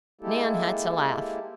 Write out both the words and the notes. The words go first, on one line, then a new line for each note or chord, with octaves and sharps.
Nan had to laugh.
G#3 A#3 E4 G4 A4